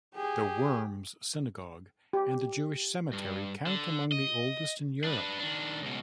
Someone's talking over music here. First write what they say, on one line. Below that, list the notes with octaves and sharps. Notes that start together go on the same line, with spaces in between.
The Worms Synagogue and the Jewish Cemetery count among the oldest in Europe.
G4 G#4
G4
G2
D3
D#5
D4 B4
D#3 D4
C#2 B2